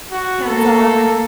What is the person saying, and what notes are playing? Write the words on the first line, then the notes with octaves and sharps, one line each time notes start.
Hands on,
F#4
A#3 A4